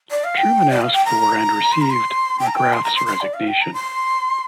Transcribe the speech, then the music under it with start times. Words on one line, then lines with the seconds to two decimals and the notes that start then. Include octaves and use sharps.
Truman asked for and received McGrath's resignation.
0.11 D5
0.24 F5
0.38 G5
0.70 D5
0.82 F5
0.93 G5
1.05 A#5
1.72 C6
1.81 A#5
1.90 C6
2.40 G5
2.47 A#5
2.55 G5
2.73 C6
2.84 A#5
2.95 C6
3.07 C6
3.21 D5
3.34 F5
3.47 G5
3.61 A#5
3.74 C6